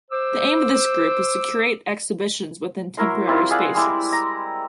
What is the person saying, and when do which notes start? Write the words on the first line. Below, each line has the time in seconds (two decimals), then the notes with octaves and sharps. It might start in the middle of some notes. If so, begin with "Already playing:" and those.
The aim of this group is to curate exhibitions within temporary spaces.
0.11 C5 D6 E6
2.97 F#3 E4 A#4 C6
3.27 G3 C4 E4 F4
3.51 G#4 D5 F5 F#5
3.74 G3 G#3 E4 D6
4.12 A#5